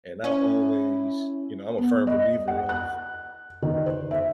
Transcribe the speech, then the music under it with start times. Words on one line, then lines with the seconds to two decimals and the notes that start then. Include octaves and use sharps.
and I always you know, I'm a firm believer of,
0.24 C#4 E4
1.78 B3
2.07 D#5
2.48 F#5
2.69 F#6
3.63 D#3
3.86 C5
4.11 E5